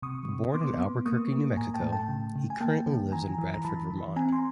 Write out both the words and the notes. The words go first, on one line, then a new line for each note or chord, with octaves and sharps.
Born in Albuquerque, New Mexico, he currently lives in Bradford, Vermont.
C3 C#6 D#6
C3
B3 C6 D6
B3
A#3 C#6 D#6
A#3
A2 G#5 A#5
G5 A5
A3
G5 A5
C#3
C#3
G#5
A#3 G5 A5
D#3
E3 G#5 A#5
E3
A#5
E3 A5 B5
E3
C4 G#5 A#5
C6